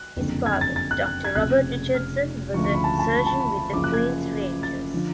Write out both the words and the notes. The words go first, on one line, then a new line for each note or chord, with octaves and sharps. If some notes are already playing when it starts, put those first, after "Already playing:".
His father Doctor Robert Richardson was a surgeon with the Queen's Rangers.
Already playing: F#6
F#1 F2 D3
G#6
A6
A6
F#6
F#6
G#6
F1 F2 C#3 F#6
F6
D2 C#3 F3 C#6
C#6
B5
A5
A5
B5
A5
B5
F#1 F#2 F3 D6
F#6
G#6
A6
D3 F3